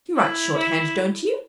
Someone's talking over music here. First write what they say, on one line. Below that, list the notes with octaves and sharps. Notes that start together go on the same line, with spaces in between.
You write shorthand, don't you?'
E4
E4